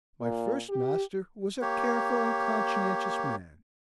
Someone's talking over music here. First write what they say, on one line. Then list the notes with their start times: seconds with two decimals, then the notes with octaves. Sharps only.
My first master was a careful and conscientious man.
0.21 A#2
0.69 G4
1.62 A#3 G4 C#5